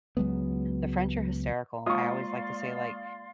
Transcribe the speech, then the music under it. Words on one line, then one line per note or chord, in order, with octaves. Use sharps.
the French are hysterical. I always like to say, like,
C#2 F#3 G#3 B3
G#3 A#3 F4 D5 F5 C6 C#6 D#6